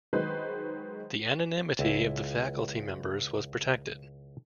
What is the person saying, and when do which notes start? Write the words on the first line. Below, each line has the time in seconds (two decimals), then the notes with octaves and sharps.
The anonymity of the faculty members was protected.
0.13 D#3 F#3 G#3 B4 C5
1.79 C#2 E4